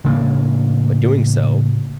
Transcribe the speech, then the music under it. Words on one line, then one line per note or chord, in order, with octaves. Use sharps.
but doing so,
A2 C#3 A#3 D4